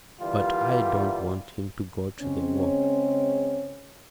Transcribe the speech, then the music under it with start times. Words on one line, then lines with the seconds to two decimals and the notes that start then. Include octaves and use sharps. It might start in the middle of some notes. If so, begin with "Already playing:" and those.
But I don't want him to go to the war.
0.20 D3 E3 G3 A#3 F4
2.21 C#3 G#3 C4 C#4